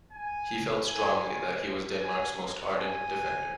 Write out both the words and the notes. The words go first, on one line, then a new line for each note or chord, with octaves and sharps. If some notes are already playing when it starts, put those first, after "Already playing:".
He felt strongly that he was Denmark's most ardent defender.
G#5
G#5
G#5
G#5
G#5